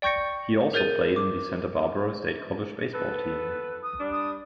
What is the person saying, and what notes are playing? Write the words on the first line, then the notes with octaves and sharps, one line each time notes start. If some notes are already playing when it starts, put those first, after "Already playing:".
He also played on the Santa Barbara State College baseball team.
D5 G5 C#6 G6 A#6 C#7
G#4 A#4 C#5 G6 A6 D#7
D6
B3 A4 B4
D#6
G3 D4
D#6